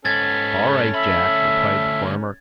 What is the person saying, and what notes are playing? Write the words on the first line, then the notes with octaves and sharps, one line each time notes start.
"All right, Jack," replied the farmer.
G#2 B3 C#4 A4 G#6 A6
D2 E5 B5